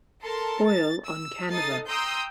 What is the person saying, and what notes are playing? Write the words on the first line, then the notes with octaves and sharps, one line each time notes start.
Oil On Canva.
A4 A#4 A5 C6
A6
E6
D#4 A4 D#6 A6 C7
G5 A#5 C6 D#6 E6 G6